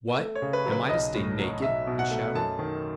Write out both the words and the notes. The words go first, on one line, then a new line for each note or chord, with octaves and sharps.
"What, am I to stay naked?" he shouted.
A3
C#5
C#3
B4
F#3
B4
B1 D#5
A2
F#3
B1 E5
B2
F#5
A3
F#2 A5
D#3